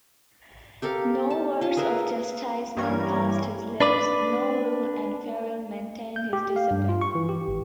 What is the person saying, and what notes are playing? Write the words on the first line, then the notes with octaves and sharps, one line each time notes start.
No words of chastisement passed his lips; no rule and ferule maintained his discipline.
G4 A4 A#4 F5
A5
F4 A5
G#4 A#4 B4 E5
G2 E3 G3 C#4 A#4 G#6
D4 B4 D5
G6
G4
F5
G2
F4
C#6
E3
G4
G#1